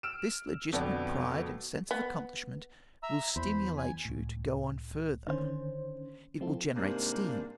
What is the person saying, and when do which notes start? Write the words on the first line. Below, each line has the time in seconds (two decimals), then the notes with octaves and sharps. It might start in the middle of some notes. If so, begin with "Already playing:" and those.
This legitimate pride and sense of accomplishment will stimulate you to go on further; it will generate steam.
0.03 E6 F6 D7 E7
0.73 F2 B2 D3 B3 D4
1.91 B3
3.03 E5 A#5 E6
3.36 E2 C5 B5
3.77 G#5
4.05 C#2 A2
5.27 D3 D#3 C#4 C5
6.40 F3 C4 E4 F4 A4
6.76 G#2 C3 G3 A#3 D4